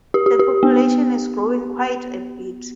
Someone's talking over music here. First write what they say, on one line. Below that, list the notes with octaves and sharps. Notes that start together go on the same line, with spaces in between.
The population is growing quite a bit.
G4
G4
G4
B3